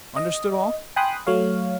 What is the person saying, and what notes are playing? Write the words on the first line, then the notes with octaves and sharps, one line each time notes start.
Understood all?'
D#5
G5 G#5 B5 C6 D#6 F#6
F#3 A3 C#5 F5